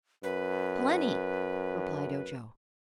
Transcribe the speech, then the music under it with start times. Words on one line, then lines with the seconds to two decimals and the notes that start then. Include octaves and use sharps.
"Plenty," replied Ojo.
0.23 F#2 B4